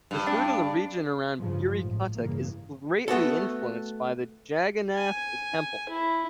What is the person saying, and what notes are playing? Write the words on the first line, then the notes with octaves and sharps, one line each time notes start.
The food in the region around Puri-Cuttack is greatly influenced by the Jagannath Temple.
G2
D4
G2 C#3 F3
G#1 A2
G2 C#3 E3 A#3
A3 B3 F#4 A4
G#5
E4